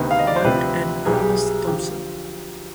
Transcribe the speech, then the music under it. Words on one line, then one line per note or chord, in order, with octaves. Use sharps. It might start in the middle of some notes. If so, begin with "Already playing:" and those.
White and Ernest Thompson.
Already playing: D2 C3 D#3 B3
F5
D#5
D5
C5
D2 C3 F3 C4 B4
B1 B2 G3 G#4
G4
G#4
D3 F3 G4